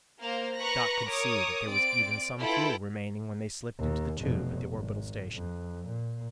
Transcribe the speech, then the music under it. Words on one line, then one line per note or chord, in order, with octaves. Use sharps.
Doc could see that there was even some fuel remaining when they slipped into the tube at the orbital station.
A#3 C5 F5 A#5
B4 A#5 B5 C#6 F#6 A#6
A#4 C#5 D6 D#6
C4 D5 D7
E4 F4 A4 B4 G5
D#2
F1 B2
G#1
F2
A#2